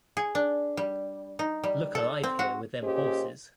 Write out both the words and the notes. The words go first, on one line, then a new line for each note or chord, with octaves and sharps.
Look alive here with them horses!
G#4
D4
G3
D#4
G3
A4
C4
F#4
A#2 C#4 G4 G#4 C5 D#5